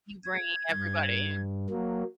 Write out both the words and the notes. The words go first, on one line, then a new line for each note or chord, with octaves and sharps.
you bringing everybody.
G#6
G2
F#3 A#3